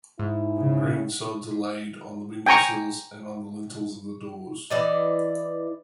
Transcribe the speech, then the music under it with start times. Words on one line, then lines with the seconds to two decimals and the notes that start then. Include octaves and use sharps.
Green sods are laid on the windowsills and on the lintels of the doors.
0.19 G#2 E4
0.58 C#3
2.46 G5 G#5 A#5 C#6
4.70 E3 D5 D#5